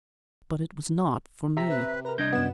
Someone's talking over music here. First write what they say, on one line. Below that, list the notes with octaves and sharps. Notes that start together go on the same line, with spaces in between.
But it was not for me.
C3 E5 A#5 B6
B4
A#4 B4 A#5
C2 D4 D#5 G6 G#6 A#6
F#2 F#3 B3 E7